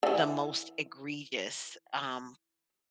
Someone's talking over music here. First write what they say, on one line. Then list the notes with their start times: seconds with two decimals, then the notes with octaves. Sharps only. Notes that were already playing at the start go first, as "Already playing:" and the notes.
the most egregious, um,
0.03 D3 E3